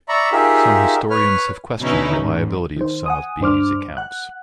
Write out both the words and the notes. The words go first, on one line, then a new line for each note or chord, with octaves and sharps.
Some historians have questioned the reliability of some of Bede's accounts.
D5 E5 A#5 B5 C#6
D#4 F4 G4 G#4 A#4 E5
B4 C#5 F6
B2 D3 C#4 D#4 E4 B4
A1 G#2
D#3 C5
F#5 G#5 D#6
G2 D4 C5 D6 F6
F#5 F#6